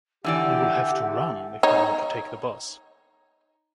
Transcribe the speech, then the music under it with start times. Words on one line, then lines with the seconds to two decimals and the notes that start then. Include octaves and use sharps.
We will have to run if we want to take the bus.
0.24 D3 E3 G4 D5 E5 F#5
1.63 D#4 C#5